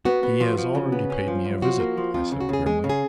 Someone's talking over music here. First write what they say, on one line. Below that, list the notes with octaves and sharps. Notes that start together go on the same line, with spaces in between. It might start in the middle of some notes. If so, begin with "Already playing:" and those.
"He has already paid me a visit," I said grimly.
B3 F#4
B3
F3
F3
C#3
B3
C#4
F3
F#2
F3 F#4
A#3
F3
F2 F4
C#3
F#4
C#3 G#4
G#3 G#4
C#3
G#4